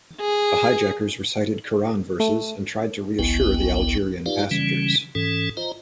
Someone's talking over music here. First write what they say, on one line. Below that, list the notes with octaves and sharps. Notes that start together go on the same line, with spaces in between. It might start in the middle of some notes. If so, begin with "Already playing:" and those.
The hijackers recited Quran verses and tried to reassure the Algerian passengers.
G#4
A3
G#1 C#2 B3 E4 G5
D#4 F4 G4 B4 D5 F5
C#3 E3 G3 C#4
G#2 E3 C#4 A4
F4 C5 D#5 A#5